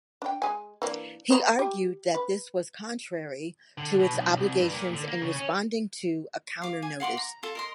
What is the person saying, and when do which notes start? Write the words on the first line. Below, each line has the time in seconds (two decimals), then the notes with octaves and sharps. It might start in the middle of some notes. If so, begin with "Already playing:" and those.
He argued that this was contrary to its obligations in responding to a counter-notice.
0.22 D4 G5
0.42 G#3 G#5
0.82 E3 A#3 D4
1.30 B3 C5 A#5
1.59 G4
2.14 B4
3.78 D3
4.00 B2
4.13 B1
4.37 C2
4.59 G2
4.72 A#2
4.93 D3
5.07 A#3
5.22 C#3
5.36 C#4
6.62 F5 D6
6.82 G#5
7.00 F5 F#5 C6 D6
7.17 A#5
7.43 F4 A4
7.55 A#4 D#5 C6